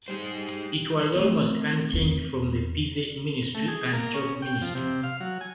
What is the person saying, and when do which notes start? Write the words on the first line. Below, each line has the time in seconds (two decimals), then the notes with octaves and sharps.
It was almost unchanged from the Pizzey Ministry and Chalk Ministry.
0.08 G3 D#4 G#4 C5
1.15 A3 C4
1.93 E2
3.55 A3
3.68 G#4
3.93 A#3
4.14 C#4
4.42 G5
4.62 F3
4.75 C3
5.03 F5
5.20 F#3
5.41 G#5